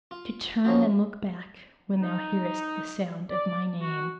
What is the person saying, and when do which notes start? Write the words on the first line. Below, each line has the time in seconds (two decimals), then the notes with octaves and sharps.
'To turn and look back when thou hearest The sound of my name.'
0.11 F4
0.64 F3 C#4 D#4 F4 F#4
2.01 D#4
3.30 D5
3.81 F#4